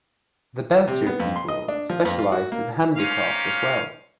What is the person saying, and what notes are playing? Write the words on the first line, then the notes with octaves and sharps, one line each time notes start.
The Beltir people specialized in handicraft as well.
C3
B3
F2
C6
D#5
D4
F3
F2
F4
F#4
A#3
A#3 C#4 G4 A#4 C5 F5